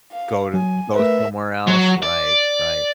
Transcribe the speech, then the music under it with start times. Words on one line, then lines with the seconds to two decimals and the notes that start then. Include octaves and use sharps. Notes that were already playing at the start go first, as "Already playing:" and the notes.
Go to go somewhere else, right, right.
0.12 F5
0.54 F#3 G#5
0.96 A3 A#4 B4 E5
1.67 F#3
2.02 D5